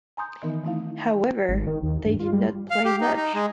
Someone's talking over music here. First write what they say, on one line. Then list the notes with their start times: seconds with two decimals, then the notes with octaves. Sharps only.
However, they did not play much.
0.17 G#5 A#5 C6 D#6 G6
0.43 D#3 E3 B3 D#4 A#4
0.64 E3 A3 C4 D#4 E4 F5
1.49 G#1
1.67 D#3
1.83 D#2
2.05 G2
2.19 F4
2.33 G3
2.70 F5
2.85 G4
3.01 D#4
3.16 D#4
3.35 G#3